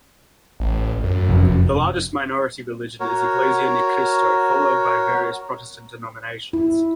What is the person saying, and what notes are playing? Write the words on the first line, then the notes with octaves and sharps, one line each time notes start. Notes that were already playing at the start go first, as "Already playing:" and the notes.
The largest minority religion is Iglesia Ni Cristo followed by various Protestant denominations.
A1
F#2
F1
F#4 A#4 C#5
E4